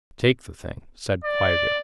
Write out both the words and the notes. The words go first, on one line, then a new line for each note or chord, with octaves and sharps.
"Take the thing," said Kwairyo.
D5